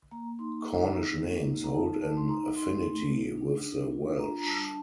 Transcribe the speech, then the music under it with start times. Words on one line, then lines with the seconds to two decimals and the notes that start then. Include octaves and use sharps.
Cornish names hold an affinity with the Welsh.
0.11 A#3 A#5
0.39 D#4 C6
0.66 D#4 A#5
0.94 D#4
1.21 A#3
1.47 D#4
1.64 A#5
1.74 D#4 A5
2.01 D#4 A5
2.17 C6
2.29 D#4 A#5
2.56 D#4 C6
2.83 A3
3.10 D#4
3.38 D4
3.65 D4
3.92 F4
4.19 D4 A#5
4.39 A#5
4.46 G3 A5
4.67 A5